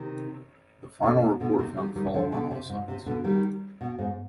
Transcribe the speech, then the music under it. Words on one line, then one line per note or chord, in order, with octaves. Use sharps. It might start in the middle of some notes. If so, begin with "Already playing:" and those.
The final report found fault on all sides.
Already playing: C3 D#3
B2 D3
B2
B2 D3
C3 D#3
D#3 G3
D#3 G3
D3 F3
B2 D3
C3
G#2
C3
B2 D3
D#3 G3
B2
G#2